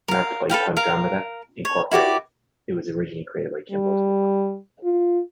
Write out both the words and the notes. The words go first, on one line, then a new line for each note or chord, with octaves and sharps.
Marketed by Pandromeda Incorporated it was originally created by Ken Musgrave.
A#4 F5
A4 B4 F5 G5
A#4 F5
C#5
E4 F#4 G4 D5
G3
F4